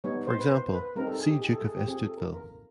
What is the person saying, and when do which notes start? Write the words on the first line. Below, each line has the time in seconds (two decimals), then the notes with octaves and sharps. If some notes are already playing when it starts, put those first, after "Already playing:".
For example, see Duke of Estouteville.
0.04 G3 B3 D#4 C#5
0.27 C5
0.39 B4
0.50 C5
0.73 B4
0.96 G3 C4 D#4 A#4
1.07 A4
1.19 G#4
1.30 G4
1.41 G#4
1.53 A4
1.65 G#4
1.76 G4
1.88 C4 F4 G#4
2.04 A4
2.18 A#4
2.34 A#4